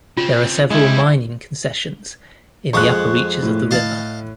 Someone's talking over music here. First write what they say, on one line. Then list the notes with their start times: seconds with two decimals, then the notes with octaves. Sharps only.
There are several mining concessions in the upper reaches of the river.
0.17 C#3 C4 F4
0.71 C#3 G3 G#3 E4
2.73 F2 G#3 C#6 D#6 F#6
3.43 A2
3.71 D#5 F5 A5